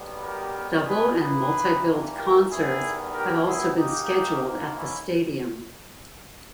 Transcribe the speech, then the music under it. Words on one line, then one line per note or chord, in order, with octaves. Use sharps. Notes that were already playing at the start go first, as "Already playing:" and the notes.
Double and multi-billed concerts have also been scheduled at the stadium.
Already playing: B1 B2 G3 B3
G4 A#4
G#4 B4
G2 E3 A#3 G#4 B4
G4 A#4
E2 D#3 G3 B3 E4 G#4
G4 A#4
E4 G#4
G#2 D#3 A#3 D#4 G4
C#4 E4